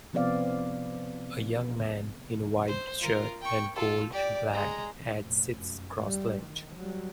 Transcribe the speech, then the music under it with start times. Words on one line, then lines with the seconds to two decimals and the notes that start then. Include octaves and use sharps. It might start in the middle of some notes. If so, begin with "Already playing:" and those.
A young man in a white shirt and gold and black hat sits cross legged.
0.13 C3 F3 B3 C4 D5 F5
2.68 C5
3.01 F4 A#4
3.41 G5 C#6
3.76 F4 A4
4.13 G4 D5
4.50 G#3 A#5
5.20 F1 A#2
5.55 F#2
6.06 G3
6.43 D#3
6.76 F#3 G3